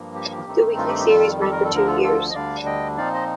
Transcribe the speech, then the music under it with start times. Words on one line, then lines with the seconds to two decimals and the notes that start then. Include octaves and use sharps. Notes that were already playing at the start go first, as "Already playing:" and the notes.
The weekly series ran for two years.
Already playing: G2 F3 A#3
0.15 G4
0.31 G4
0.46 G2 D#3 A3 C4 D#4
0.77 F4
0.89 G4
0.99 G4
1.09 F2 D#3 G3 F4 A4
1.40 A4
1.52 A#4
1.64 A4
1.72 D2 D3 F3 A#4
1.87 F4 A4
2.03 F4 A4
2.30 D#5
2.34 D2 D3 G3 D4 D5 F5
2.66 D#5 G5
2.97 A#2 F3 C4 D#4 D5 F5
3.14 C5 D#5